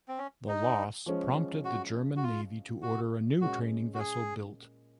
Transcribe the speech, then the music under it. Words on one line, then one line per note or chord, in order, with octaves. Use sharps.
The loss prompted the German Navy to order a new training vessel built.
C4
C#4
D#4
F3 G#3 C#4
F#4
F#4
F4
F#4
A#2 G#3 C#4 F#4
F#4
G#4